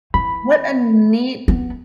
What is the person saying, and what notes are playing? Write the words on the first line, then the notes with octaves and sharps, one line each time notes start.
What a neat
E3 B5
B3